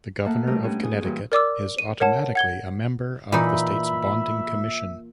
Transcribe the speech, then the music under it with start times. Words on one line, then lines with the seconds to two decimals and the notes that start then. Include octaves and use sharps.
The Governor of Connecticut is automatically a member of the state's Bonding Commission.
0.25 A2 A#3 E5 F#5 A5
0.47 B2 G3 A3 G4 A#4 D#5
0.63 B3 C#4 D4 G4
0.82 G4 G#4 G#5
1.02 A#2 E3 G3 C#4 F#4
1.32 A#4 D5 D6 E6
1.78 D#7
2.00 A#4 C#5 F#5 A5
2.35 F#5 G#6 G7
3.32 A#2 E3 D#4 E5 B5